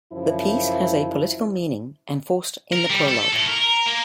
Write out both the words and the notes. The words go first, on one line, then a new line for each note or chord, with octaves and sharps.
The piece has a political meaning, enforced in the prologue.
F#2 C#3 F3 E4
A#4
G3
A4
A2
A#4
A#3